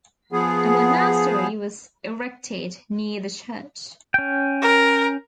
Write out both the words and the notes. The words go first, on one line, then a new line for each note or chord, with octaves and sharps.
A monastery was erected near the church.
F3 B3 G#4
C#4 G5
A#4